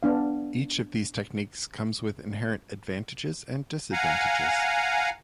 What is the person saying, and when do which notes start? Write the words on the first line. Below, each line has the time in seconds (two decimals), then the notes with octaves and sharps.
Each of these techniques comes with inherent advantages and disadvantages.
0.03 B3 D4 F5
3.92 F5 F#5 G#5 A#5